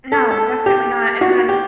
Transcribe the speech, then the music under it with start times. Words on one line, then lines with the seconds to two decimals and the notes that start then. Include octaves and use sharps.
No, definitely not. And then
0.12 A4
0.31 A4
0.66 G4
1.21 F#4
1.49 G4